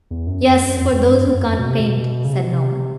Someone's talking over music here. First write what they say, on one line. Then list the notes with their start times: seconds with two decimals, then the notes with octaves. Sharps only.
"Yes, for those who can't paint," said Naumann.
0.11 E2
0.27 F#2
0.43 F2
0.60 F#2
0.76 F2
0.93 F2
1.10 G2
1.26 E2
1.34 F#2
1.42 F2
1.59 B2
1.69 C3
1.79 B2
2.25 C#3
2.34 C3
2.42 B2
2.51 C3